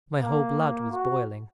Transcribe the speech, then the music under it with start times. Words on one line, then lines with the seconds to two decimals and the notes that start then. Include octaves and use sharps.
My whole blood was boiling.
0.21 A#3
0.91 F#4